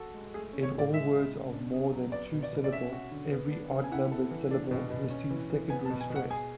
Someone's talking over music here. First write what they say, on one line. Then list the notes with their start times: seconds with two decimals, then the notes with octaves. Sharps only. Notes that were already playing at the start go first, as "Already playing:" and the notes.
In all words of more than two syllables, every odd-numbered syllable receives secondary stress.
Already playing: F#4 A4
0.14 G#3
0.34 A3 G#4
0.53 C#4
0.63 C#5
0.73 A2
0.79 D5
0.93 G#3 E5
1.13 C#3
1.33 C#3
1.53 D4
1.73 G#4
1.92 F#3
2.12 B3 D5
2.32 B2
2.43 D5
2.53 B2
2.64 D5
2.72 C#4 E5
2.93 F#4
3.11 D3
3.32 B3
3.52 D4
3.71 C#3
3.84 G#5
3.92 E4 F#5
4.11 A4
4.31 E3
4.51 D4
4.71 B2
4.90 B2
5.10 C#4
5.30 E3
5.50 E3
5.70 B3 G#5
5.86 A5
5.90 B2
6.01 G#5
6.10 B2
6.16 F#5
6.30 G#4 G#5